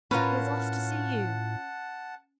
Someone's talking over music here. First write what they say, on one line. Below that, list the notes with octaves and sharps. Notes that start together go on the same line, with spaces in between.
He has asked to see you.
A2 C#4 F4 A#4 B4 F#5 A5